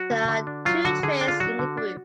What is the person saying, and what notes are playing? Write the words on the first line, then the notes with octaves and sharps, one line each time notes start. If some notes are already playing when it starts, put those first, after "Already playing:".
There are two trains in the group.
Already playing: F#3 F#4
D3
D3
D4
F#3 F4
D3 F#4
D3 G#4
D4
F4
F#3 F#4
D3
D4